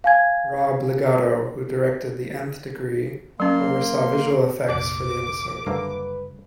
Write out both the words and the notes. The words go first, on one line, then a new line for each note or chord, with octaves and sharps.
Rob Legato, who directed "The Nth Degree", oversaw visual effects for the episode.
F5 G#5 G#6
F#3 A#3 C#4 C6
F1 A#1 D4 D5 F#5 D6
F#1 D2 D3 G3 A#3 D4 B4